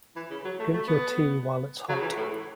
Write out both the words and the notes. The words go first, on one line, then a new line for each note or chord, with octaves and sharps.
Drink your tee while it's hot.
E3
C#3
F#3
A3
A3
B3
F#3
C#3
E3
A2